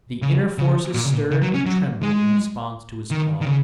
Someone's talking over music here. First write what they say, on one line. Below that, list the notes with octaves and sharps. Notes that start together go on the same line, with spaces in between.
The inner forces stirred and trembled in response to his call.
C#3
C#3
A#2
C#3
A#2
C#3
F#3
C#4
F#3
G#3
D#3
D#3
C#3